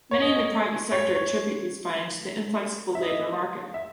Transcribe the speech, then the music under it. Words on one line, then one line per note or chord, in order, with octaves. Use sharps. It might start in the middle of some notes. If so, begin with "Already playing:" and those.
Many in the private sector attribute these findings to the inflexible labor market.
C#5
D#5
C#5
C#5
E5
D#5
E5